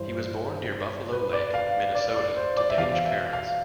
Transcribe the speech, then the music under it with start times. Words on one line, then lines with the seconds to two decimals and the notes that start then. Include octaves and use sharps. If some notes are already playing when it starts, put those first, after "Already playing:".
He was born near Buffalo Lake, Minnesota to Danish parents.
Already playing: G2 E3 C5
1.12 B4
1.33 D5
1.54 F5
1.95 D5
2.16 D5
2.36 C5
2.57 D5
2.70 E5
2.77 E2 B2 F5
3.05 E5
3.33 F5